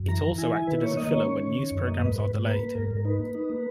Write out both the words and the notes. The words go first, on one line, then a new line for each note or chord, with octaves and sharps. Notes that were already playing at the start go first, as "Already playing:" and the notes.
It also acted as a filler when news programs are delayed.
Already playing: F#2
E3 A#5
E3
E4 G#5
E4
D#3 B4
A#3 C#5
A#3 D#5
D#3 C#5
C#4
C#4
D#3
F#2
A#3 D#5
G#2 B4
G#2 B4
G#2
A#3 B4
A#3
G#2 A#4
G#2
A#4
D#4 B4
A#3
D#4
A#3